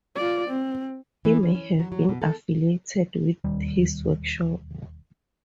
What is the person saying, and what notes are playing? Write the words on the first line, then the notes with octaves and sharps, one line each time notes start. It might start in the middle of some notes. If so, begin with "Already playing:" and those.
He may have been affiliated with his workshop.
F4 D5
C4
E3
C#4
C#4
F#3
F#3
B2
A4
E1 D#2 G3